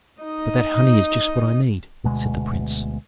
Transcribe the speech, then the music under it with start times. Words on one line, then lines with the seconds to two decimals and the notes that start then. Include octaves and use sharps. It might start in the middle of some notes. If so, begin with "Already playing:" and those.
"But that honey is just what I need," said the prince.
0.22 D#4 D#5
2.04 D2 B2 G#3